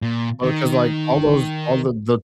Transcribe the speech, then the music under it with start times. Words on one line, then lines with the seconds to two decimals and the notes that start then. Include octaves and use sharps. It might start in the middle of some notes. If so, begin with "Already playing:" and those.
but 'cause, like, all those all the the
0.02 A#2
0.43 D#3